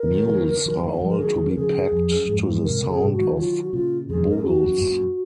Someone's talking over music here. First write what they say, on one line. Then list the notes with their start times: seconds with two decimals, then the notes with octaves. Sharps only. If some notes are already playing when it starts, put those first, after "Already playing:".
Mules are all to be packed to the sound of bugles.
Already playing: A#4
0.11 D#3 F#3
0.28 D#3 F#3
0.66 D#3 F#3
0.83 D#3 F#3
1.02 F3 G#3
1.10 A#4
1.19 D#3 F#3 G#4
1.38 D#3 F#3
1.49 A#4
1.56 C#3 F3 G#4
1.92 F2
2.10 F#2
2.28 F2 G#2
2.46 F2 G#2
2.64 G#2 C3 A#4
2.82 A#2 C#3
2.89 G#4
3.00 G#2 C3
3.13 F#4
3.19 D#3 F#3
3.36 D#3 F#3 F4
3.64 F#4
3.72 A#2 C#3 F4
4.09 F2 G#4
4.27 F#2 A#4
4.38 G#4
4.45 F#4
4.63 F#2
4.81 F#2 A#2